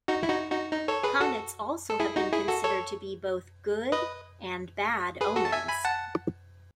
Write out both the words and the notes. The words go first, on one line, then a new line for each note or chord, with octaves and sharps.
Comets also have been considered to be both good and bad omens.
D#4 F#4
E4
D#4 F#4
D#4 F#4
D#4
A4 C#5
G#4 B4
F#4 A4
A4
E4 G#4
D#4 F#4
E4 G#4
F#4 A4
A4 C#5
B4 D#5
G#4 B4
F#4 A4
A5
E5 G#5
G#5 B5
F#5 A5